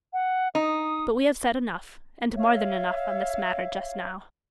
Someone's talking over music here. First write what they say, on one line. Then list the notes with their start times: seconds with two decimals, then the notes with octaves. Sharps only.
But we have said enough, and more than enough, on this matter, just now.'
0.13 F#5
0.55 D#4 D#6
2.34 C#5 E5 F5